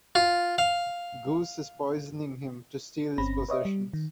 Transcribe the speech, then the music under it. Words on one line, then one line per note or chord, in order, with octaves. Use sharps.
Goose is poisoning him to steal his possessions.
F4
F5
G1 C4 C#4 B5 A#6
B4 C#5 D#5 E5
G3
D#3